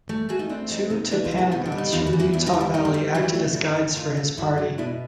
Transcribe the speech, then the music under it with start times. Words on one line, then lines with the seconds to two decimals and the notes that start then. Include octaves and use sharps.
Two Timpanogots from Utah Valley acted as guides for his party.
0.09 A3
0.29 A3 F#4 G#4
0.39 D#4 F4
0.49 C4 D4 E4
0.70 E3 D#4
0.90 C3 D#4
1.11 E3 D4 E4
1.24 D#4 F4
1.31 C3
1.38 F#4 G#4
1.51 B2 D#4
1.66 D4
1.72 G3
1.78 D#4
1.92 E2 D#4 F4
2.07 E4 F#4
2.13 E2
2.20 E4 F#4
2.33 E2 D4 E4
2.46 D#4 F4
2.53 G3
2.60 D4 E4
2.74 G3 D#4
2.85 D4 E4
2.94 G3 D#4
3.14 F#3 D4 E4
3.35 A3
3.55 G2 D4 E4
3.76 A3
3.96 D3 D#4 F4
4.17 A3
4.37 G2 E4 F#4
4.58 F#3
4.78 B2 D4 E4